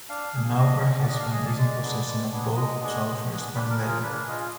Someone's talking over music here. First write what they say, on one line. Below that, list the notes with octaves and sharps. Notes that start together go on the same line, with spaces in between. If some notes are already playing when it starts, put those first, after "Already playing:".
Now her husband is in possession of both trousers and letter.
D4 F5
G#4
F5
D4 D#5
G#4
D5
D4 D#5
F5
G#4 D#5
D5
G#3 D5
B3 D4 G#4
G#3
B3 D4 G#4
G#3 D#5
B3 D4 G#4
G#3
B3 D4 G#4
D4 B4
A#4
F4 G#4
A#4
D4 B4
F4 G#4 D#5
F5